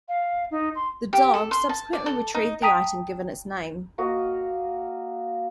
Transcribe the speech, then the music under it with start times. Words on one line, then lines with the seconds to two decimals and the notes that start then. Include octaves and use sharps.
The dog subsequently retrieved the item given its name.
0.09 F5
0.51 D#4
0.75 C6
1.13 G4
1.34 A4
1.51 C6
1.69 A5
1.93 D5
2.06 A4
2.34 D#4
2.62 G5 A5 A#5 D#6 B6 D#7
3.98 A#3 F#4 D#5 F5